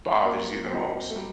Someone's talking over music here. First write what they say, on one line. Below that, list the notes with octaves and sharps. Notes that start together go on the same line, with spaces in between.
bothers you the most?
F#3 A#3
C4 F#4 C5 D#5
A3
F#3 G3